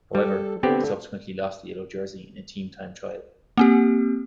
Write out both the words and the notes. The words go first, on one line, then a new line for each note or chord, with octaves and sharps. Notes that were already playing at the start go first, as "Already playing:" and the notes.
However he subsequently lost the yellow jersey in a team time trial.
G3 A4
D3 B3 C4 G4
A#3 C4 G4